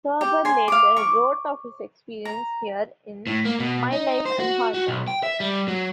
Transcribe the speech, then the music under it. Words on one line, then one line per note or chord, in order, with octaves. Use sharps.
Thurber later wrote of his experience here in "My Life and Hard Times".
G4
G#5 C6
F5 D6
C#6 D6
A#5
A2
A#3
B2
D#4
C5
F#4
F#4
B1
G5
E5
G3
F#3